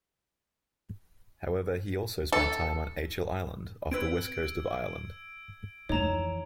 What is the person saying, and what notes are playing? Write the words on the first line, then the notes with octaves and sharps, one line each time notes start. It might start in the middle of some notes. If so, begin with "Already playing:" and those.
However, he also spent time on Achill Island off the west coast of Ireland.
A4
C4 B4 E6 G#6 D7
F2 E3 D#4 C#5 A#5 E7